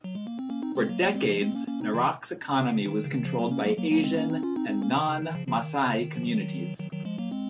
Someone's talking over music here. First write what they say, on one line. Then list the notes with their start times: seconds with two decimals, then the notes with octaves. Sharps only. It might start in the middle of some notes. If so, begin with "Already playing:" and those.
For decades, Narok's economy was controlled by Asian and non-Maasai communities.
0.04 F#3
0.15 G#3
0.27 A#3
0.39 C4
0.49 A#3 C#4
0.63 C4 D#4
0.76 G#3 C4
0.89 F#3 A#3
1.02 F#3 A#3
1.15 G#3 C4
1.29 F3 G#3
1.42 G#3 C4
1.55 A#3 C#4
1.68 A#3 C#4
1.81 C4 D#4
1.94 C#3 F3
2.59 C#3
2.86 D#3
3.04 C#3
3.12 D#3
3.25 C#3 F3
3.38 F#3 A#3
3.51 A#3 C#4
3.65 F#3 A#3
3.78 F#3 A#3
3.91 F#3 A#3
4.04 G#3 C4
4.17 A#3 C#4
4.30 C4 D#4
4.43 C#4 F4
4.56 C4 D#4
4.69 C4 D#4
4.82 A#3 C#4
4.96 D#3
5.08 C#3
5.22 D#3
5.35 C#3 F3
5.48 C#3 F3
5.62 D#3
5.74 C#3
6.01 D#3
6.16 F3
6.27 D#3 F#3
6.79 D#3 F#3
6.92 D#3 F#3
7.05 F3 G#3
7.18 F#3 A#3
7.32 G#3 C4